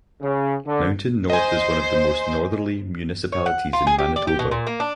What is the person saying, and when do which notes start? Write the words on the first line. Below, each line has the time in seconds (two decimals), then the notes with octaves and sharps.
Mountain North is one of the most northerly municipalities in Manitoba.
0.22 C#3
0.66 D3
1.30 C5 D#5 G#5
3.32 C#5
3.46 F#5
3.73 F4
3.87 G#4
3.98 G4
4.16 D5
4.27 G4
4.39 B2
4.51 A#2
4.67 A#3
4.80 D4